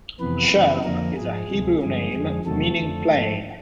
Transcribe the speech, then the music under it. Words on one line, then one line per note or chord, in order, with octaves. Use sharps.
Sharon is a Hebrew name meaning "plain".
F2 C3 E3 B3 B4
F#2 C#3 E3
F2 D3 F3 A#3 A#4
G#2 F3 G#3 G#4
D2 C3 F3
G2 D3 F3 G#3 G#4
F2 D3 F3
E2 C3 D#3 F#3 A3 A4
F2 D3 F3
G#2 F3